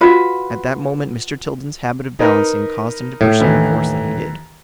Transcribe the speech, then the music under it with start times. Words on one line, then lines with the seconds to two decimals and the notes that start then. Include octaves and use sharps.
At that moment Mr. Tilden's habit of balancing caused him to pursue the course that he did.
0.01 F4 F#4 B4
2.19 D#4 A#4 B4
3.21 A2
3.39 D#2 D3 E3